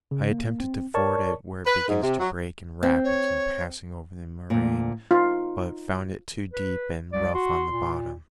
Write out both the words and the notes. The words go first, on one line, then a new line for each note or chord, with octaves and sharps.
I attempted to ford it where it begins to break in rapids in passing over the moraine, but found it too deep and rough on the bottom.
C#3
A#3
C4
A#4 C#5 D5 A5 C#6
B4
G#2
C3
F#3
C4
C#5
D2 A#2
D#4 F4
B4
C2 D5
F#4 C6
A#2